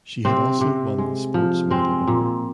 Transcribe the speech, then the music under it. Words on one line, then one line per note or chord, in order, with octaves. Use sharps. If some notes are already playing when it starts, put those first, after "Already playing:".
She had also won the Sports Medal of Honor.
C3 C4
C3
G#3
F3
G#3 C4
A#2